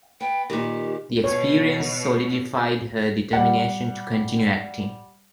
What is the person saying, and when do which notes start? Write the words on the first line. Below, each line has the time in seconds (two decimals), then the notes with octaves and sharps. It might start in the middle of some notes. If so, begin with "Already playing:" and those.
The experience solidified her determination to continue acting.
0.21 B3 G5
0.50 A#2 D#3 G4
1.24 B2 C#5
3.33 G3 F#5